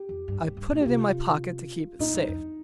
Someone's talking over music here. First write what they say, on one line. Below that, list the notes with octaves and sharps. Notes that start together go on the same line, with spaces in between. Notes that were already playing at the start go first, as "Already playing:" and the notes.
I put it in my pocket to keep it safe.
Already playing: G4
F2
G2
G#2
G2
A#2
G4
C3 F4
A#2 D#4
G2
F2